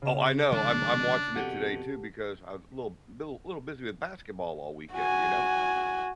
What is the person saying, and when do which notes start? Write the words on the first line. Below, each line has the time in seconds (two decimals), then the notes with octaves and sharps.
oh, I know, I'm I'm watching it today too because I was a little b bul little busy with basketball all weekend, you know,
0.02 C#3
0.52 F1 D#3 G#3 D4
1.36 F2 B2 G4 A4 F#5
4.94 F#4 G#5